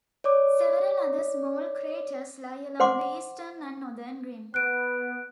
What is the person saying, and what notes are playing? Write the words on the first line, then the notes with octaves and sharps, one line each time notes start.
Several other small craters lie along the eastern and northern rim.
C#5 D5 D6
C5 F#5 C6 D6
B3 F#6 D7